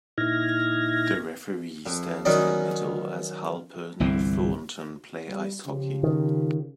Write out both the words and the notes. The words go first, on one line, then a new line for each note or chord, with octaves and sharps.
The referee stands in the middle as Halpern and Thornton play ice hockey.
A#2 D#4 E4 F6 G#6 A#6
F2
D#3 F#3 B3 C#4 D#4 D5
G1 C2 E3 C4
G3
C#3 F3 G4
D#3